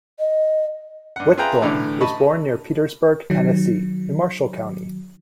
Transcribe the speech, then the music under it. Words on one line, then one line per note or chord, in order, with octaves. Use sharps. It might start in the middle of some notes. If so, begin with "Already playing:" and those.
Whitthorne was born near Petersburg, Tennessee in Marshall County.
D#5
G2 F#5
F4 G#4 B4 E5 G5 A#5
A2 D3 E3
D#5 A5 B5 C#6
D#3 F#3